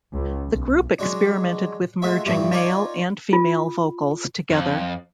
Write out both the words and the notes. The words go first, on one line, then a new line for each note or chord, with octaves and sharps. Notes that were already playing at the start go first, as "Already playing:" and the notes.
The group experimented with merging male and female vocals together.
C#2
B1
F#3 G#3 C#4 D4
G#3 A3 F4 F#4 E5
G2 C3 E3 F3 A3
C#4 D#4 F4 A#4 C#5 D5
F4
F2